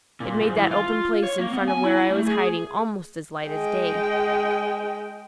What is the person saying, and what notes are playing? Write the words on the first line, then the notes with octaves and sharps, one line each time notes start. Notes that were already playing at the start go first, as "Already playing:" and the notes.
It made that open place in front of where I was hiding almost as light as day.
A#2
G#2
E3
F4
C#5
A#3
B3
G#5
E4
A3
G#4
G#3 G5